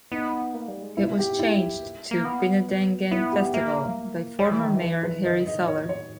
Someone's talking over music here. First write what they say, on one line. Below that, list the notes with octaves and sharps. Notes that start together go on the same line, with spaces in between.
It was changed to Binnadangan Festival by former Mayor Harry Soller.
B3 D#4
A#3
G3
G#3
B3 E4
G4
E4
A#3
G#3
A#3
B3
B3 E4
G4
A#3 E5
G3 C#5
E3
D#3
E3
B4
B4
D#3 D#5
C#3
D#5
D#3
C#5
C#5